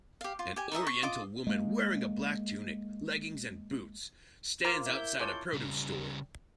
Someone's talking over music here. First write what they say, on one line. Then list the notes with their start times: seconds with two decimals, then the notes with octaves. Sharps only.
An oriental woman wearing a black tunic, leggings and boots, stands outside a produce store.
0.21 G4 F5
0.39 F4
0.56 G4 G#5
0.72 D#4 A#4 E5 D#6
0.87 C#6
1.03 F4 D#5 D6
1.47 G#3 A#3
4.64 A#3 F4 C5 A#5
4.86 E4 E5 G6
5.19 G#3 E4 F4 C#5 D5 A5
5.53 C#3 G3